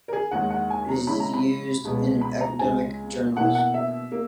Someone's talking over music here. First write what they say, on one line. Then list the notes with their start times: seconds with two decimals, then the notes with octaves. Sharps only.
It is used in academic journals.
0.08 A#4
0.13 G#4
0.31 D#2 D#3 G#3 F#5
0.50 F#5
0.70 G#5
0.89 A#5
1.07 C#3 G#3 C#4 E4 B5
1.20 A#5
1.33 B5
1.84 C#2 B2 G#3 B3
2.21 B5
2.41 A#5
2.59 C#2 C#3 G#3 G#5
3.36 B2 A#3 E4 F#5
3.55 F#5
3.74 E5
4.12 A#3